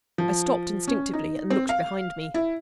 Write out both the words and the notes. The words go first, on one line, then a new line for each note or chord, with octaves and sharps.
I stopped instinctively, and looked behind me.
F3
C#4
D#4
C4
F5
E4